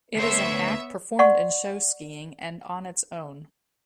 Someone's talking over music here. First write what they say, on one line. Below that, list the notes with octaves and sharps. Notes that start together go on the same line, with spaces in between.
It is an act performed in show skiing, and on its own.
D2 B3 C5 C#5 E5
D5 F#5 C6 C#6